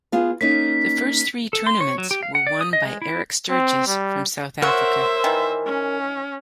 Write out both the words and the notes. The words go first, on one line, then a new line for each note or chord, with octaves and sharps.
The first three tournaments were won by Eric Sturgess from South Africa.
B3 F4 G#4
A#3 C#4 D#4 B6
A4
C6
C#5
F#3
G4
F5
F#5
D5
D#6
D#5
G#3
E4
C4
G3
F#4 A#4 C5 C#5 E5 F#6
D#3 E3
C#4